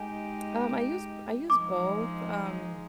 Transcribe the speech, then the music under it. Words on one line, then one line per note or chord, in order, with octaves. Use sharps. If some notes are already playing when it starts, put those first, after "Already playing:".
Um, I use b I use both, um,
Already playing: G#3 D#4 G4 G#5
F3 G#3 D#4 D6